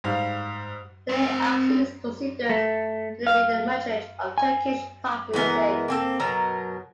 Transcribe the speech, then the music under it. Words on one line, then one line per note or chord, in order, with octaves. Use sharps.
Today Aksu is considered to be the matriarch of Turkish pop music.
G#2 G3 F5
C4 F#5
A3
F5
G#5
E3 G#3 B3 A#4
A#3 C4 A4
B2 F#3 A#4 A#5